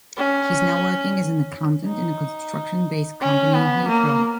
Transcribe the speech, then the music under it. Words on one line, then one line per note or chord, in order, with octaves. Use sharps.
He is now working as an accountant in a construction based company in Heathrow.
C#4
D#4
C#4
B3
A#3